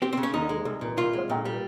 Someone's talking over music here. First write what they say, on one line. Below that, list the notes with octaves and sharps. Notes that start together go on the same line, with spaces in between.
you knew it was below the belt
C4 G4
C4
C#3
C#4
D#2 D#4
G#3
C2
A#2
C2 F4
G#3
A#2
G3